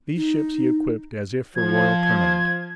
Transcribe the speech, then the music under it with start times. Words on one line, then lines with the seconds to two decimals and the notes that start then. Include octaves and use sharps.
These ships he equipped as if for royal tournament.
0.16 D#4
1.56 F3 G#6